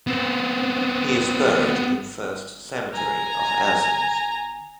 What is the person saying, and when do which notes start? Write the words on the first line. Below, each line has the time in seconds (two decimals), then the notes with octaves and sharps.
He is buried in First Cemetery of Athens.
0.07 B3 C4
2.94 G#5 A#5